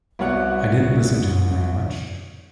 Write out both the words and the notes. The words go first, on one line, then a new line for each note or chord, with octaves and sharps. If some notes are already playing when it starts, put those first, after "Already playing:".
I didn’t listen to him very much.
C2 B3 F#4 C#5 D5 F#5